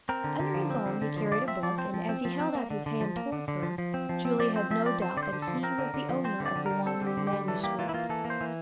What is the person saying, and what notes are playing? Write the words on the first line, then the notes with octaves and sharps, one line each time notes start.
Under his arm he carried a book, and as he held out his hand towards her Julia had no doubt that he was the owner of the wandering manuscript.
C4 A#4
D3
D3
F3
C4
D3
D3
F3
F3 D5
C4 E5
F3 D5
C4 C5
F3
C4
F3
C4
A#3
D3
D3
F3
A#3
D3
D3
F3
F3
C4
F3
C4
F3 D5
C4 C5
F3 E5
C4 D5
C4 C5
D3 D5
C5
D3
A4
F3
C4 A#4
D3
D3
F3
C4 C5
D3
D5
D3
G3 A#4
C4 A4
D3
G4
D3
G4
G3
E3 A4
A#3 G4
E3 F4
E4
A#3 F4
E3 A4
A#3
C5
E3